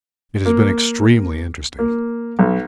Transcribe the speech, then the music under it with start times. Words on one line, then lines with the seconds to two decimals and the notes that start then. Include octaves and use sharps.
It has been extremely interesting.
0.46 A#3
1.79 A#3
2.39 B1